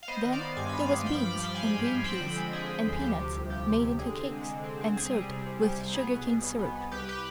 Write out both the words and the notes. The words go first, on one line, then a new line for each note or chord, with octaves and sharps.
Then there was beans and green peas, and peanuts made into cakes and served with sugarcane syrup.
F5
B3 C5 D#5
D#3
D5 F5
B3
G2 G#5
B3 B5
F5 G#5
G2
F3 G5 B5
F3 B5 D6
D6 F6
F3 G5 B5
F3 G#5 C6
G#2
F3
C4 G5 B5
D3
G#3
D3 G#4
D3
D2
F3 G4
C3
C2
F3 G4
C3
C3
D3 G#4
C4
G#3
D3
C4
C4
C2 G#4
G3
C3
C3
G3
C2
B3 G#4
B2
B2
B2
B3
B3
C2 G4 B4
G4 B4